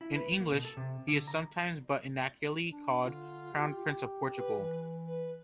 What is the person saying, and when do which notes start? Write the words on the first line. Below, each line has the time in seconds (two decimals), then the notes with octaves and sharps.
In English, he is sometimes, but inaccurately, called "Crown Prince of Portugal".
0.01 E4
0.15 B4
0.40 A#3
0.52 B2
0.65 A4
0.77 C3
1.08 D3
1.28 A#5
2.72 D4
3.03 D3 F4
3.52 G4
4.37 B4
4.58 E3
5.07 B4